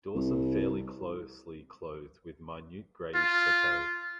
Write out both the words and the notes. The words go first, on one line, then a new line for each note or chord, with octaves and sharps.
Dorsum fairly closely clothed with minute greyish setae.
C2
F4